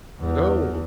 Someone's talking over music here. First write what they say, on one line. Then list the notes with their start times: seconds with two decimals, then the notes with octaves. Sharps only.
like, "Oh!"
0.20 E2